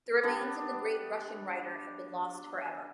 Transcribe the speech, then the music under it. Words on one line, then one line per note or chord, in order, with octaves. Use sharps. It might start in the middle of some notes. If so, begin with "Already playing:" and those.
The remains of the great Russian writer have been lost forever.
B3 D4 G4